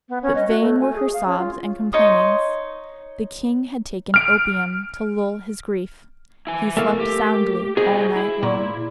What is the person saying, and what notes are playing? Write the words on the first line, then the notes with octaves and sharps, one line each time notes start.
But vain were her sobs and complainings; the king had taken opium to lull his grief; he slept soundly all night long.
B3
C#4
D#5
F#4
A3
G#5
G#4
F5
C#4
F4
D#4 C#5 C6 D#6
F6 D7
E4 G#5
A3 A#3
G4
F#4 G#4 C5 D#5
E4
A#2